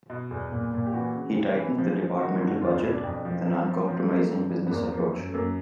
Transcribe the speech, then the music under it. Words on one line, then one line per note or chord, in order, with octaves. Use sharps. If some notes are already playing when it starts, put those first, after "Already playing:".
He tightened the departmental budget with an uncompromising business approach.
B2
E2
A#2
A#2
G4
E3 F#4
C#3
C3
E3
F3
F3
D#3 F#4
F4
G2
F#4
E2 F4
F4
B2 E4
D4
F2
F3
F3
F3
F3 C4
A3
F3 G#3
A#3
A3
G2
G2
B3
E2 A#3
F3 A#3
F#2
A3
F#2 A#3